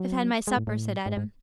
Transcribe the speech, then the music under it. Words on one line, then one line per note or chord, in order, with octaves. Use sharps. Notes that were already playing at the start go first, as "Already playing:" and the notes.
"I've had my supper," said Adam.
Already playing: F#3
G#3
A2
A2
G#2
G#2